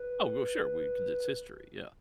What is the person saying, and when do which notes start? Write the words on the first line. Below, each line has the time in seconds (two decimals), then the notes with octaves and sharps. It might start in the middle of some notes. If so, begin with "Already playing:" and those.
Oh, well, sure, we 'cause it's history, yeah.
Already playing: B4